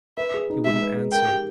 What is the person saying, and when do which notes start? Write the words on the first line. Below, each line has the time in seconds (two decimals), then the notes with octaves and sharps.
He wouldn't answer.
0.18 B4 E5
0.34 G#4
0.50 D#4
0.65 G#3 E5
0.81 B4
0.97 G#4
1.12 A#4 G5
1.28 G4